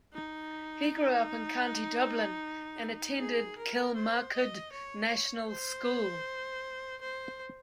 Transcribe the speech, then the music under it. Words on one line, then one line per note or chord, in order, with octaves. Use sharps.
He grew up in County Dublin and attended Kilmacud National School.
D#4
G#4
A#4
C5
D#5
C#5
C#5
C5
C5